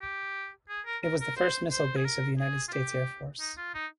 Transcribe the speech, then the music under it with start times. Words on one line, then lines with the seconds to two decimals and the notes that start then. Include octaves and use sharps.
It was the first missile base of the United States Air Force.
0.02 G4
0.69 G#4
0.86 A#4
1.03 A#4
1.21 A#4
1.37 C5
1.71 C5
1.96 G#4
2.05 A#4
2.39 G#4
2.68 F4
2.73 G4
3.40 D#4
3.57 F4
3.74 D#4